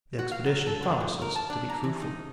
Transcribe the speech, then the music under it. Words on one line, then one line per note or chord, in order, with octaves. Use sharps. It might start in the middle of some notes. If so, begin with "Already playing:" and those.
The expedition promises to be fruitful.
F#4
F5
F#3
A4
D3
A#2
A#4
A5
D4
A#5
E3
D#4